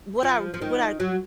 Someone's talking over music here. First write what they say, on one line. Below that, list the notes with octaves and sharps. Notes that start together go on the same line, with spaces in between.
what I what I
F3
F3
D#3
F#3